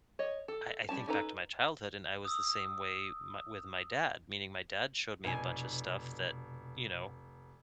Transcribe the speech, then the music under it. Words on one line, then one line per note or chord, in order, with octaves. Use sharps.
I I think back to my childhood, and I was the same way my with my dad, meaning my dad showed me a bunch of stuff that, you know
C#5 D#5
A4
G3 C#4 A5
C#4 D#4 A4 B4 A#5
D#6 E6
F1 B2 G#5